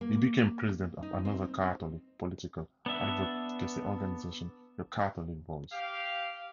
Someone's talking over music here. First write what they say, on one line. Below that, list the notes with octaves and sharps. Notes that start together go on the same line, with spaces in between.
He became president of another Catholic political advocacy organization, Your Catholic Voice.
A#3
D#4
C4
B3 D4 E5
G4 F5